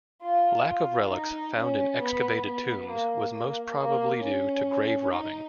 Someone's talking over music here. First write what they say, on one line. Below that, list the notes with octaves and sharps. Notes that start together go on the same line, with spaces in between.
Lack of relics found in excavated tombs was most probably due to grave robbing.
F4
F4
D#4
C#4
B3
B3
A#3
A#3
A#3
C#4
D#4